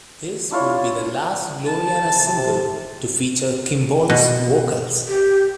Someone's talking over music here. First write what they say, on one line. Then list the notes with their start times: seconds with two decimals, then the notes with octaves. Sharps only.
This would be the last Gloriana single to feature Kimball's vocals.
0.51 D4 E4 F4 C#5
1.66 A5
2.13 C3
4.10 B2
5.08 G4